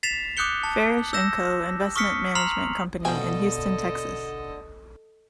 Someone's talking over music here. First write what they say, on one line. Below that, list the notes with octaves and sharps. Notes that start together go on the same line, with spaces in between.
Farish and Co. investment management company in Houston, Texas.
A6 B6 C7 E7 F7
D6 D#6 F#6 G6 C#7 G7
A5
E6 G6 A#6 E7
C#6 D#6 F6 B6 C#7
A#5 C6 F6 C7 F7 F#7
B2 D3 F3 A4 D#5 G5 G#5